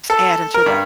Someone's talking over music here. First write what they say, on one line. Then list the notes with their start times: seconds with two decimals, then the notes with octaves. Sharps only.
adding to the
0.10 A4
0.54 A#4
0.66 G2